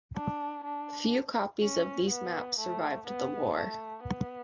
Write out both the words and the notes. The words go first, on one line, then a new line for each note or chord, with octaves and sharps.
Few copies of these maps survived the war.
D4
D4
C#4
B3
A3
B3
A3
B3